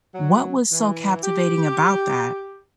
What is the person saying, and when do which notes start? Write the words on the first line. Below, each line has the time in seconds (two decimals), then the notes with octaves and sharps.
What was so captivating about that?
0.15 F#3
0.72 E3
1.23 G4